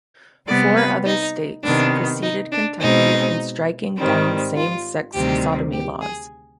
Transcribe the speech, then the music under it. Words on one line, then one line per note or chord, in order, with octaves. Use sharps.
Four other states preceded Kentucky in striking down same-sex sodomy laws.
C3 G3 B3 D5
B4
D#4
C3 D#3 B3 D4
D#4
D4
B2 G#3 C4 D#4
G#2 D#3 G3 C4
F4
D2 C3 D#3 G3 C4 G4
G4
G#4